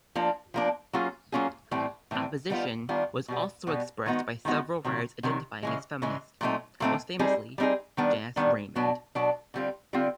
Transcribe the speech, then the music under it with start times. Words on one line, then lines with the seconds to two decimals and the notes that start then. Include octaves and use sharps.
Opposition was also expressed by several writers identifying as feminist, most famously Janice Raymond.
0.15 F3 A#3 D4
0.54 F3 A#3 D4
0.93 F#3 A#3 C#4 F4 G#4
1.32 F#3 A#3 C#4 F4 G#4
1.71 A2 E3 G3 C4
2.11 A2 E3 G3 C4
2.50 D#3 G3 B3 D4 F4
2.89 D#3 G3 B3 D4 F4
3.28 B2 G3 B3
3.67 B2 G3 B3
4.06 D#3 G#3 B3 D#4 F#4
4.45 D#3 G#3 B3 D#4 F#4
4.84 C3 D#3 F#3
5.23 C3 D#3 F#3
5.63 C#3 E3 G#3
6.02 C#3 E3 G#3
6.41 A#2 F#3 A3 C4 D#4
6.80 A#2 F#3 A3 C4 D#4
7.19 G3 C4 D#4 G#4
7.58 G3 C4 D#4 G#4
7.97 D#3 G3 B3 D4
8.36 D#3 G3 B3 D4
8.75 B2 F#3 B3 D4
9.15 B2 F#3 B3 D4
9.54 D3 G3 C4 F4
9.93 D3 G3 C4 F4